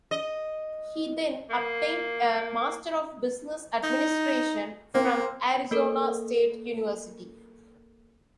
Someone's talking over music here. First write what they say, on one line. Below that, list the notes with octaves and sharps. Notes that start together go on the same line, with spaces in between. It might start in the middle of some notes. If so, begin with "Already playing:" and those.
He then obtained a Master of Business Administration from Arizona State University.
D#5
A#3
D#4
A#3 C4
A#3 A4 A#4